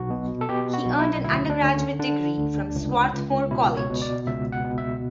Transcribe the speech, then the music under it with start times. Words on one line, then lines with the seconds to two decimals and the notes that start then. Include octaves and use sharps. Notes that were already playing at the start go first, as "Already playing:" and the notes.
He earned an undergraduate degree from Swarthmore College.
Already playing: B1 F#4
0.10 B2
0.41 A4
0.49 B2 G4
0.73 F#4
0.86 B1
0.99 E4
1.24 D2 E4
1.50 D4
1.63 D3
1.74 C#4
1.99 D3 D4
2.37 D2
2.75 C#2
3.13 C#2
3.51 B2 E4
3.77 C#5
3.89 B2
4.02 D5
4.26 C#2 E5
4.52 F#5
4.64 B2
4.78 E5